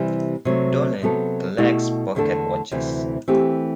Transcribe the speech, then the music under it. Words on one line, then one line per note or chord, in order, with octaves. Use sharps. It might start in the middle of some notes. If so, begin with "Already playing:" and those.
Dolan collects pocket watches.
Already playing: C3 E3 G3
C3 F#3 A3
C3 F#3 B3 F#4 A4
B2 A3 E4 G4
E2 D3 A3 D4 A4
D2 C3 E3
E3 A3 C4 G4